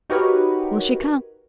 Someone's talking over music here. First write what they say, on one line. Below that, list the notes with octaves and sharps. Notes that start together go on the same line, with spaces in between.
Will she come?
D#4 F#4 G4 A#4 B4 C#5